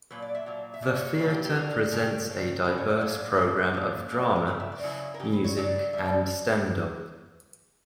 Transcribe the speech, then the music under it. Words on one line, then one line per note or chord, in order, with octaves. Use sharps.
The theatre presents a diverse programme of drama, music and stand up.
A#2 F#3 B4
D5
E5
A#2 F#3
E5
A#2 F#3 D5
C#5
C#5
A#2 F#3 B4
G4
G4
C#3 G3 A#4
C#3 G3 A#4
C#3 G3
A#4
C#3 G3 B4
C#5
D5
A#2 F#3
A#2 F#3
A#2 F#3
A#2 F#3 D5
B4
A#4
C#3 F#3 B4
E5
D5
C#3 F#3 E4
A#4
C#3 G4
F#3
B4
C#5
C#3 F#3 D5
G3 E5
B2
D5